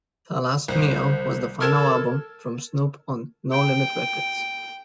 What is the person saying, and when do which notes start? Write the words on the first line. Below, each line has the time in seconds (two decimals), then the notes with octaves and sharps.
"Tha Last Meal" was the final album from Snoop on No Limit Records.
0.68 C2 C5
1.61 A4 A#4 F6 G#6 E7
3.52 G5